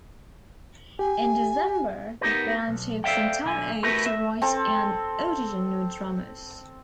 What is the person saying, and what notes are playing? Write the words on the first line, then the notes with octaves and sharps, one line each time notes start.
In December, the band took some time off to write and audition new drummers.
G4 G#5
B3 D#4 G4 A#4 B4
B1
A4 C5 D5 E5 F5 G5
B1 D3 G#5
A3 E4 F#4 G4 A#4 B4
E5
C4 A4